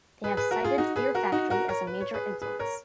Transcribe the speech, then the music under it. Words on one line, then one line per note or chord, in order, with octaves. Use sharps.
They have cited Fear Factory as a major influence.
G#4 B4
G#4 B4
F#4 A#4
F4 G#4
D#4 F#4
G#4 B4
F#4 A#4
D#4 F#4
F#4 A#4
A#4 C#5
B4
C#5
G#4 B4
G#4 B4
A#4 C#5